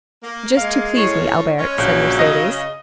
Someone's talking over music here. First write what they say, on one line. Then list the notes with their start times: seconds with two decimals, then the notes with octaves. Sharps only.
"Just to please me, Albert," said Mercedes.
0.22 A#3
0.57 G#3 F5
0.96 A2 C#3 C#5
1.59 G#3 C#4
1.78 A#1 C#3 F#3
2.19 D#5